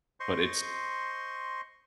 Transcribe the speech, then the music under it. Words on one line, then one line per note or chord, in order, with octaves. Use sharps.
but it's
C5 D#5 C6 C#6